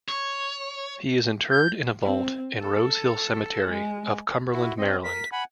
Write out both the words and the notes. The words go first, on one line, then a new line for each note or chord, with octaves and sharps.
He is interred in a vault in Rose Hill Cemetery of Cumberland, Maryland.
C#5
G6
C4
A4
G#3
E4 F#4
C4 D#5
A#4 B6
F#5 G#5 B5